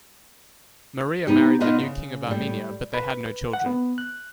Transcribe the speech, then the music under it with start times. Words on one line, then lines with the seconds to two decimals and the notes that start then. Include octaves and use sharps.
Maria married the new King of Armenia but they had no children.
1.27 B3 D#4 G4
1.60 B3 D4 D#4 F4 B4 D#5
1.79 C#3
2.27 A2 G3
2.94 B4
3.53 F#5
3.66 B3
3.98 F#6